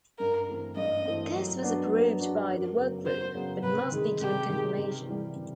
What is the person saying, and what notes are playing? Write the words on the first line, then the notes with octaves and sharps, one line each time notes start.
This was approved by the work group, but must be given confirmation.
G2 A#4
E3 A3 C4
G2 D#5
E3 A3 C4
F#3
B3 D4 F#4
F#3
B3 D4 F#4
F#2
C#3 F#3 B3
F#2 C5
C#3 F#3 B3
C3 B4
D#3 G#3
C3 G4
D#3 G#3
C3
E3 G3
C3